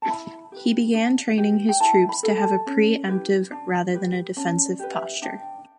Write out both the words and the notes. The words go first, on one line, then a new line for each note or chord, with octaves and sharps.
He began training his troops to have a pre-emptive rather than a defensive posture.
A5
E4 B5
G4 B4
D4
G4 B4
G5
E4 A5
B5
A4
A5
C#4
E4 G4 B4
D4
G4 B4
C#4 A5
D5
G4 B4
E5
D4 G5